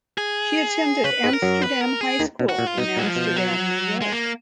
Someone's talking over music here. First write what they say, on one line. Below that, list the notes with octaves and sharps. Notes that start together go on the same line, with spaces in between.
She attended Amsterdam High School in Amsterdam, New York.
G#4
C#3 C#4 B4
G#2 G#3
A#4
F#2 F#3
B4
A#4
G#4
D#2 D#3
B2
F#4
A#2
F4
B2 D#4
A#2 F#3
F3
B2
F#3
G#3
A#3